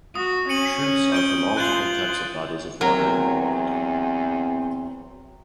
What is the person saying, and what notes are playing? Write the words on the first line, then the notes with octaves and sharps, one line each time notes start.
Shrimps are from all different types of bodies of water in the world.
F#4 D#6
C#4 C#7 D#7 F#7
G6 D7 G7
F4 F#6 G6 F#7
E2 F#3 C4 A#4